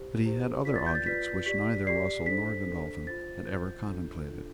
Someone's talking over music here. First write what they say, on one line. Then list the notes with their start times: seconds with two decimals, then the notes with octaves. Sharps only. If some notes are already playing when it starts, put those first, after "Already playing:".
But he had other objects which neither Russell nor Godolphin had ever contemplated.
Already playing: E4 G4 C5
0.26 E4 G4 C5
0.65 F4 B4 D5 B6
0.76 A6
0.86 G6
0.95 A6
1.06 F4 B4 D5 B6
1.46 G4 D5 B6
1.87 G4 D5 C7
2.26 D4 A4 C5 B6
2.67 D4 A4 C5
3.07 F4 C5 A6
3.47 F4 C5 G6
3.88 D4 F4 A4
4.27 D4 F4 A4